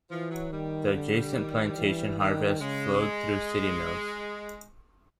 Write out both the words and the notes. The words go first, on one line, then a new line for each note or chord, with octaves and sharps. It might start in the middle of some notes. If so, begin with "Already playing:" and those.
The adjacent plantation harvests flowed through city mills.
E3 F3
F#3
D#3 G3
D3
D#3
E3
D#3 G3
C#3 G#3